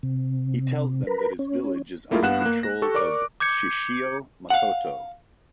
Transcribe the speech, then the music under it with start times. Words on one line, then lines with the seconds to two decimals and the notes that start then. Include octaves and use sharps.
He tells them that his village is under control of Shishio Makoto.
0.03 C3
1.07 A#4 B4
1.39 C#4
2.11 A3 A#3 E4 F4 G#4 A#4
2.22 G2 B3 F5 F#5 F#6 E7
2.46 A#3
2.63 A#6
2.82 G4 A4 C#6
2.94 A#4 D5 C#6 D6
3.40 D6 G6 G#6 C#7
4.50 F5 F#5